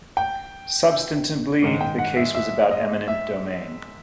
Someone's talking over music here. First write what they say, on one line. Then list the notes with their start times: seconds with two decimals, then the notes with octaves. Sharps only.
Substantively, the case was about eminent domain.
0.17 G5
1.63 G#2 D#3 G#3
1.81 G5
1.99 F#5
2.17 E5
2.35 E5
2.71 D#5
3.08 E5